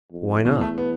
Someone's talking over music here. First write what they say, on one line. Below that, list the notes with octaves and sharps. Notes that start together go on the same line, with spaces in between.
"Why not?"
F2
E2 B2
A3
B3